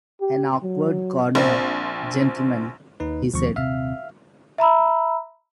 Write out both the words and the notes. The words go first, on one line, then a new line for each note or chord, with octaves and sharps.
"An awkward corner, gentlemen," he said.
G4
F#3
A#1 C4
D#2 D#4 B4
D#2 C3 F3 G#3 C#6
D#1 C3 E5 F5 F6
E5 A#5 B5 E6